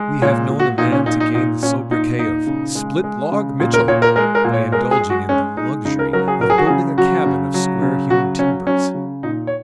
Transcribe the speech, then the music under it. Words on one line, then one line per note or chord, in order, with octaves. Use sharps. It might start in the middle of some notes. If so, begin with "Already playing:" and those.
We have known a man to gain the sobriquet of "Split-log Mitchell" by indulging in the luxury of building a cabin of square-hewn timbers.
Already playing: G#3
A#2 C#5
A#2
F#4
A#2 D#4
C#4
A#2 D#4
D#4
A#2 D#4
A#2 C#4
A#2 D#4
A#2 D#4
C#3
G#3
G#3
C#3
A#2
A#4
A#2 C#5
A#4
G#3 A#4
A#4
A#2
C#5
G#3 A#4
G#4
G#3
F#4
G#3 C#4
G#3 D#4
C#3 D#4
A#4
F#3 A#4
G#4
F#3 A#4
G#4
F#4
C#3 G#4
F#3 F#4
C#3
F#3
C#3
F#3 F#4
F#3 C#4
F#3 C#4
C#3
A#2 D#4
C#5